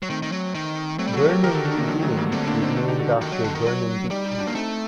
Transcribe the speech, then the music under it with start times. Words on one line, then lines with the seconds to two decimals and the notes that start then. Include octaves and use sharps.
Burnham, New Zealand was named after Burnham Beeches.
0.03 F#3
0.10 D#3 A3 C4
0.23 D#3
0.32 F#3
0.55 D#3
0.99 F#3 A3 C4
1.07 G3
1.13 F#3 F#4 A4
1.28 G4 A#4
1.43 D#3 G4 A#4
1.54 F#4 A4
1.65 D4 F#4
1.77 A#3 D4
1.88 D3 F#3
2.02 F#3 A3
2.17 G3 A#3
2.32 D3 A3 C4
2.48 A#3 D4
2.62 C4 D#4
2.77 D4 F#4
2.88 D#4 G4
2.99 F#4 A4
3.21 D#3
3.32 F#3
3.44 D3
3.55 D#3
3.66 F#3
4.10 G3 D#4 G4
4.25 D#4 G4
4.40 D4 F#4
4.47 A#3
4.55 A3 C4 D#4